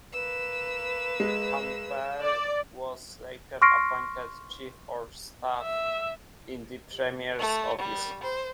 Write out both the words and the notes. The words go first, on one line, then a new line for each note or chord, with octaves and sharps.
Campbell was later appointed Chief of Staff in the Premier's Office.
A#3 B4 E6
G#3
D5
C6 C#6 F6 A#6 C7 D7
E5
A3
G3
C5